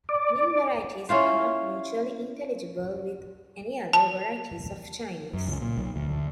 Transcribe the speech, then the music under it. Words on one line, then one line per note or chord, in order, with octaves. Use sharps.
Min varieties are not mutually intelligible with any other varieties of Chinese.
D5
C#4 E4 F4 C5
A5
F#2
C#2
A#2
B1
D2